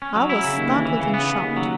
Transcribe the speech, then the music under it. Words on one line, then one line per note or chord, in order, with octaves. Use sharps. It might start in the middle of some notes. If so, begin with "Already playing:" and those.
I was startled and shocked.
C#4
F#3
E4
C#3
D#2
E3
E3
C#3
B3
C#3
D#2
F#3